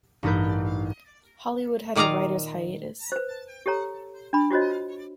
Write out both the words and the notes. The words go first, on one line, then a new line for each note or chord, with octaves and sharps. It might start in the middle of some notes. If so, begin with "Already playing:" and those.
Hollywood had a writers hiatus.
A1 G2 D#4 A#4 B4 G6
A#2 D#3 D5 D#5 F5 A#5
B4 C5
G4 A4 C#5 A#5
D4 B5
F4 F#4 C5 C#5 D#5